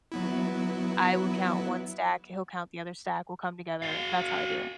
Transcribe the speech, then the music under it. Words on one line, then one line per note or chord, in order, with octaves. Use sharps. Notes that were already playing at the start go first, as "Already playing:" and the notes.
I will count one stack; he'll count the other stack. We'll come together; that's how I do it.
F#3 B3 E4
F#4 F5